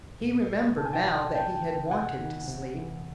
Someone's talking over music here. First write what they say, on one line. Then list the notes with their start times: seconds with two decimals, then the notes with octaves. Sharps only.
He remembered now that he had wanted to sleep.
0.21 A#2
0.77 B2 A5
0.85 G#5
0.93 G5 A5
1.34 A2 G5 A5
1.62 E3
1.90 C3 F#5 G#5
2.19 D#3
2.48 C3
2.75 E3